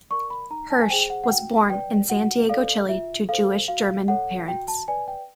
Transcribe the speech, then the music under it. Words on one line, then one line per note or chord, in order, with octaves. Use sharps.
Hirsch was born in Santiago, Chile, to Jewish-German parents.
A#4 D5 C#6
B5
D#4 A#5
A5
G#5
G#4 C5 G5
F#5
F#5
F#4 G5
B4 D5 G5
F#4 F#5
A4 D5 F5
F4 E5
A4 C5 F5
F#4 F5
A4 C#5 F#5
F#4 G5
A5
B4 D5 G#5
G5